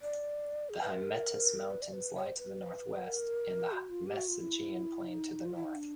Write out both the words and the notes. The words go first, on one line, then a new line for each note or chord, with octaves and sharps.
The Hymettus mountains lie to the northwest and the Mesogeian plain to the north.
D5
G#4
B4
A#4
B4
D5
B4
C#5
C5
B4
A#4
F#4
F4
G4
F#4
F4
E4
D#4
F4
E4
D#4
D4